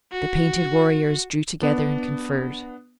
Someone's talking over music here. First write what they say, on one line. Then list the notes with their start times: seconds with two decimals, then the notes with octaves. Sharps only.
The painted warriors drew together and conferred.
0.12 F#4
1.62 B3 D4